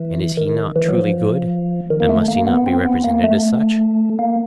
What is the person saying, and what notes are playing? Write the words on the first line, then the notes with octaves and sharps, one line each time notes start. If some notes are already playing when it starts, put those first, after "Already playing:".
And is he not truly good? and must he not be represented as such?
Already playing: E3
D#3
E3
F#3
F3
D#3
A#3
A3
A#3
B3
C4
B3
A#3
A3
A#3